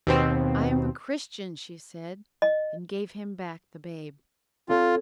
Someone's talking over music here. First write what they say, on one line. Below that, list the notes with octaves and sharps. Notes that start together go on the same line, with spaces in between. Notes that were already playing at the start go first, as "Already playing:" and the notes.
'I am a Christian,' she said, and gave him back the babe.
D#2 B2 C4
D#5
C4 F4 A4 C#5